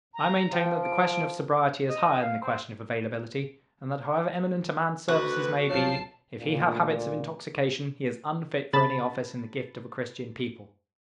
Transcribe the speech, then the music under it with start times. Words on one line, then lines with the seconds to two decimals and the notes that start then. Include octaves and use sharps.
I maintain that the question of sobriety is higher than the question of availability; and that however eminent a man's services may be, if he have habits of intoxication, he is unfit for any office in the gift of a Christian people.
0.14 A#5
0.52 F3 G5
0.83 D7
1.89 D#5
2.22 F5
2.42 C4
5.08 D2 F#4 B4
5.70 B1 F3 C#5 A5 C7
6.39 D2 A#2
8.73 C#3 A5 B5 A6